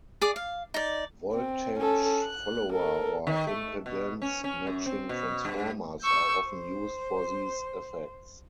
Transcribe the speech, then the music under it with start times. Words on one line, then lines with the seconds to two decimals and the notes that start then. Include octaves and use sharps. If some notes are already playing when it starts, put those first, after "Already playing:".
Voltage follower or impedance-matching transformers are often used for these effects.
0.22 G#4 D5 D6
0.36 F5
0.74 D#4 D5
1.33 C4
1.79 C#4 A4
2.24 F#6
2.71 A4 A#4
3.27 D#3
3.47 A3
3.86 B2
4.22 C#4
4.44 C#4
4.67 F#2
4.86 C4
5.09 B2
5.45 G2
6.01 C#6 E6 G6
6.48 C5